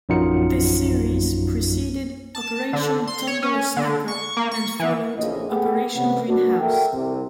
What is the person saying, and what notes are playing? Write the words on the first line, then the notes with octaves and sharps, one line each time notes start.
This series preceded "Operation Tumbler-Snapper" and followed "Operation Greenhouse".
A#1 F#2 F#3 D#4 F4 C#7
A5
D3
C6
C#5
C#4
D3
C#6
A#3
C#6
E3
A#1 F2 C#3 E4 D#5
A3 B3 G4 G#4
C3 E3 B3 C#4 B4 F#5
A#3 B3 D4 F#4
A4 A#4 E5 F#5 G5
C2 C3